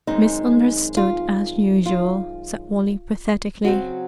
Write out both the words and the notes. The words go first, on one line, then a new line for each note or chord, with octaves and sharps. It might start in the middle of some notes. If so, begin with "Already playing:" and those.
"Misunderstood as usual," said Wally pathetically.
F#2 D#3 G#3 C4 D#4
F4
F4
C#3 F#3 C4 F#4